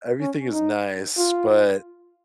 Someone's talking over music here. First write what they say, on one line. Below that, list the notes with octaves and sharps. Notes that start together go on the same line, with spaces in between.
everything is nice, but,
C#4
D#4
F4